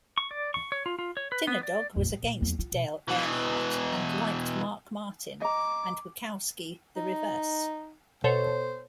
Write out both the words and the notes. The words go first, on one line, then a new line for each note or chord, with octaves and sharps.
Tinadog was against Dale Earnhardt and liked Mark Martin, and Witkowski the reverse.
C#6
D5
C#6
C#5
F4
F4
C#5
B4
B3
D5
A#1 F2
G#2
A#2
E2 F#3
F4
B2
B2 E3
D#5 A#5 D6
D#4
B2 A4 C5 C#5